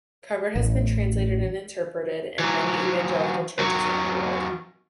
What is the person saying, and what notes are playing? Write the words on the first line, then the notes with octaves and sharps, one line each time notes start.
Covered has been translated and interpreted in many evangelical churches around the world.
A1
E3 F#3
E2 F#3